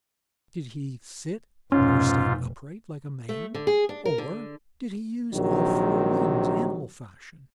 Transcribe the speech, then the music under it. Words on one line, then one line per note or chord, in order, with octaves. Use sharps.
Did he sit or stand upright, like a man? Or did he use all four limbs, animal-fashion?
F1 G#2 B2 C#4 F4
A3
D3
G#4
D4
A#4
D3
A#1 C3 D#3 F#3